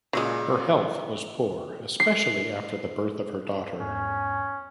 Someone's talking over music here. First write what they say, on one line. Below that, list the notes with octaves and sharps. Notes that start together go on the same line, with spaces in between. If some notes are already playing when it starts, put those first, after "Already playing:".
Her health was poor especially after the birth of her daughter.
A#2 C#3 F#3 G#3
C7
E2 G#2 C#4